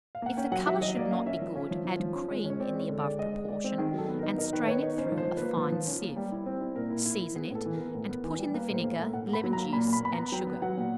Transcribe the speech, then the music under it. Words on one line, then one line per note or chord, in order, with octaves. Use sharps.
If the colour should not be good, add cream in the above proportion, and strain it through a fine sieve; season it, and put in the vinegar, lemon-juice, and sugar.
F5
A#3 F#5
C#4 G5
F#3 F#5
F#3 E5
F#3 D#5
A#3 D5
C#4 F5
C#4 E5
F3
C#4
F3
F3
F3
C#4
G#3
C#4 C#5
C4 D5
G#3 C#5
D3
D5
G#3
G#3 D#5
G#3
G#3 D5
C4
D#3 G#4
F#3 A4
B3
A#4
D#4
D#4 A#4
D#3 B4
B3 C#5
D#4
C#4 C5
F3
C5
F3
A#3 B4
F3
F3
C#4
A#3
G3
E4
C4
E4
A#2 A#4
E4
E4
E4
B3 G#4
A2 A4
E3
B3 A#4
A2
B3
E3
G3
A#3 B4
A2 C5
A#3
E5
A2
A2 F#5
A#3 B5
F#3
A#5
A#3
A#2 B5
A#2 B5
B3 B5
A#5
B3
F#3 G5
B3
F#3 F#5
A#2